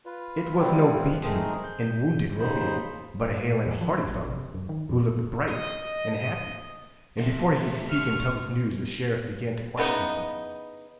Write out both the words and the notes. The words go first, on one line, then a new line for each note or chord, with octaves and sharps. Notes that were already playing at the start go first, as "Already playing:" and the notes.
It was no beaten and wounded ruffian, but a hale and hearty fellow, who looked bright and happy, and before he could speak and tell his news the Sheriff began to question him.
F4 B4
G#2 G3 C4 E4 F4 B4
G#3 A3 C4 D#4 G#4 A#4
G6
D#2 C#3 D#4 C5 B5
A2
E2
F3
A1
C3
F#2
D#3
F2
D#5
C3 F3
C3 A3
F4 C#6 F6
C#3 E3 B3 D#4